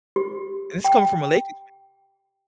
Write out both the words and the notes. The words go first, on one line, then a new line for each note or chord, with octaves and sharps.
and it's coming from a Lakers
G4
G5